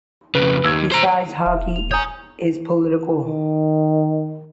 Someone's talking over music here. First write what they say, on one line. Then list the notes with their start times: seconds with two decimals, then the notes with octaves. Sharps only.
Besides, hockey is political.
0.35 F2 C#3 B4
0.64 D#2 E6 G#6
0.92 C5 A#5
1.46 E1 E5
1.76 F7
1.91 C#5 G#5 A#5 D#6 G6
3.22 D#3